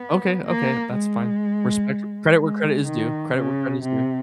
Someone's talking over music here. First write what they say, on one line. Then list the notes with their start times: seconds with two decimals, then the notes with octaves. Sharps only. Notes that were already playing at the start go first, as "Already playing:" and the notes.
Okay, okay, that's fine. Respect r Credit where credit is due. Credit where credit is due.
Already playing: B3
0.46 A#3
0.94 G#3
2.39 G#3
2.86 D#3
3.35 C#3
3.82 C3